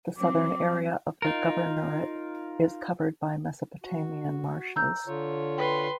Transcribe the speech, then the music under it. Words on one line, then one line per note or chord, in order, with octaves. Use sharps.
The southern area of the governorate is covered by Mesopotamian Marshes.
F#3 C4 D6
D#4 F4 A#4
F#4
A#5 E6 G6
D3 F4 C#5
B4 G5 C6